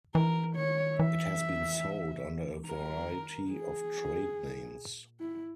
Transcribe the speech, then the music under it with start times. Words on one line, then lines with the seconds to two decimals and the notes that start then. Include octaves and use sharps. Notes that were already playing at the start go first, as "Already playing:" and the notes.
It has been sold under a variety of trade names.
0.15 E3 A#4
0.57 D#3 C#5
0.99 E3 E5
2.67 D#3 A#4
3.51 E3 G#4
4.31 C#3
4.36 D#3
4.65 B2
4.92 A#2
5.20 G#2 E4